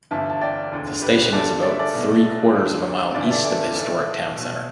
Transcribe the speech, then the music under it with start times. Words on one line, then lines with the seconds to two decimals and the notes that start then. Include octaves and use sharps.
The station is about three-quarters of a mile east of the historic town centre.
0.11 G1 G2 E3 E5 A5
0.30 A5
0.41 D5 G5
0.72 E1 D2 D3
1.02 G4 B4
1.25 B4
1.32 G1 G2 G3 A4 D5
1.63 D5
1.71 E5
1.79 A4 D5
1.93 B1 B2 A3
2.53 D2 D3 G3
3.14 G1 G2 E3 D5
3.23 E5
3.30 A4 D5
3.45 A4 D5
3.75 B1 A2 E3 A3
4.36 B1 B2 A3